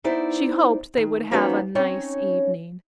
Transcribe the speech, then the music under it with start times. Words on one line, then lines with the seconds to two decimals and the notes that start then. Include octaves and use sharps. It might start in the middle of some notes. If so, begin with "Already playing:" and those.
She hoped they would have a nice evening.
0.04 B3 D#4 E4 C5 D5
0.97 D#3
1.31 F3 A#3 B3 C#4 D#4 F#4
1.75 C4 C#4 D#4 C#5